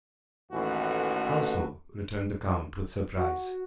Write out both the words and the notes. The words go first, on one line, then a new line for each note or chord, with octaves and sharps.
"How so?" returned the count, with surprise.
A1 D#2 A2 E3 F#4
F#4